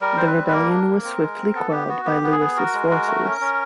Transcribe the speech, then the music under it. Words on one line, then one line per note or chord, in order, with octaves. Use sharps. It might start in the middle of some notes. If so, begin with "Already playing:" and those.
The rebellion was swiftly quelled by Louis' forces.
G3 A#4
C4 C5
B4
G3
B4
A#3 A#4
D4
A#3
C4
G#3
C4
B3 A4
B3 G4
B3 F#4
B3 G4
B3
G#4
B3
F#4 A#4
G#3
F#4
A3
C#4
C#4